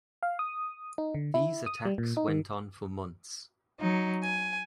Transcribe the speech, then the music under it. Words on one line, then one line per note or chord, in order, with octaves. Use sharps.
These attacks went on for months.
F5
D#6
D#4
D3
E4
D#6
G3
A#2
D#4
D#3
F#3 D#4
G#5